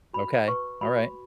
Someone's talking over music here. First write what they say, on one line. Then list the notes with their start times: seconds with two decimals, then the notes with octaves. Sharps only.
Okay. Alright.
0.13 F#4 B5
0.48 B4 C#6
0.81 F#4 B5